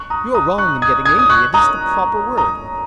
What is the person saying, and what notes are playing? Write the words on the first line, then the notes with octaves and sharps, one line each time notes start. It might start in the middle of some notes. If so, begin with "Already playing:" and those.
"You are wrong in getting angry; it is the proper word."
Already playing: C#6 F#6
A#5 D#6
A#5 D#6
C#6 F#6
D#6 G#6
D#6 G#6
D#6
C#6 F#6
A#5 D#6
A#5 D#6